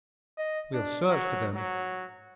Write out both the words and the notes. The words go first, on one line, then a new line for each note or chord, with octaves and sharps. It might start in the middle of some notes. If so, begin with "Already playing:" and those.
We'll search for them.
D#5
D4
F#3
F#3